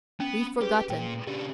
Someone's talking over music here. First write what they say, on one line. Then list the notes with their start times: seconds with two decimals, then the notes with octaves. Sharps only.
We've forgotten.
0.20 B3 C#4
0.61 G4 G#4 B4 C6
0.90 A#2 G5
1.27 C#3 D4 G4